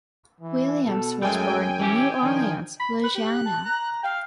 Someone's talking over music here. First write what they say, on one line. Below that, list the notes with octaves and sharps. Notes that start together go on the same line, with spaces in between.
Williams was born in New Orleans, Louisiana.
E3
B2 A4
F#2 G#3 A3 G5 G#5
E3 C#4 G4
D#3 F3 D4
B5
B4 F#6
G4
A5
A#5
F5 G5